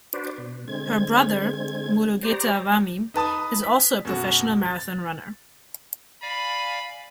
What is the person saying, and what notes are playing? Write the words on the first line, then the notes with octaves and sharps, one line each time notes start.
Her brother, Mulugeta Wami, is also a professional marathon runner.
D4 F#4 B4 C5 D5
B2
D3 G#3 C4 G#6
G4 C5 D5 A#5
D#4 B4 A5 D#6
B6
F#2 B2 F#4
A6
D5 F5 G#5 B5